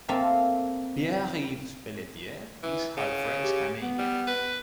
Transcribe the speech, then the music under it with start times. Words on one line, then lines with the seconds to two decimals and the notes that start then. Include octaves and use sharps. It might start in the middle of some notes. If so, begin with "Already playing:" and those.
Pierre-Yves Pelletier is half French Canadian.
0.08 A#3 C4 A4 E5 F5 G#5
2.63 E3
2.97 C#3
3.43 G4
3.81 B3
3.99 G3
4.27 B4